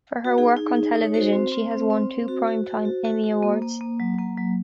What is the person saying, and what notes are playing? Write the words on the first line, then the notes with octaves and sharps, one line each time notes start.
For her work on television, she has won two Primetime Emmy Awards.
F#4
D#4 G#4
D#4
D#4
D#4
C#5
F#4 C5
C4
C4
C4
C4
C4
F#4
F#4
F#4
F#4
F#4
F#4
A#3
A#3
A#3
F#3
A#3
F#3